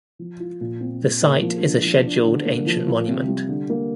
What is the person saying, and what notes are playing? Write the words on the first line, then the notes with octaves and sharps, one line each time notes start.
The site is a Scheduled Ancient Monument.
F3
F4
A#2
C4
A#2
A#3
F3
D4
F3
D4
D3
A#3
F3
F4
C3
G3
D3
A#3